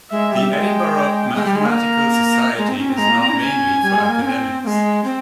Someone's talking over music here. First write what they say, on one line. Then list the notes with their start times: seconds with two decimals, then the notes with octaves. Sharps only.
The Edinburgh Mathematical Society is now mainly for academics.
0.11 G#3 E5
0.32 G3
0.53 G#3 G5
1.35 G#3
1.45 G3
1.56 G#3
1.66 A#3
1.76 A#5
2.57 G#3
2.68 C4
2.78 C#4
2.89 C4
2.98 G#3 A#5
3.09 A#3
3.20 C4
3.30 E4
3.33 C#4
3.40 G#5
3.82 G3
3.96 G#3
4.09 A#3
4.22 C#4
4.26 C4
4.64 A#3
4.67 G#3
5.04 C4